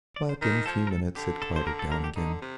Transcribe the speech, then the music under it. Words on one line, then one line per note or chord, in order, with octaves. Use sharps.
But in a few minutes it quieted down again.
D5
C5
D#3
F3 A4
A#4
A4
D3 G4
A4
C5
A#4
A4
A#4
G4
D3 D#4
C3